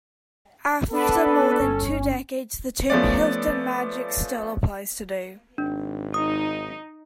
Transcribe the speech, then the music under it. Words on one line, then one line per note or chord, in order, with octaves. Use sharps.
After more than two decades, the term "Hilton Magic" still applies today.
B3 D4 A4 B4
G1 C#4
F3 A3 B3 C#4 D5
G#1 D4
D#4 D#6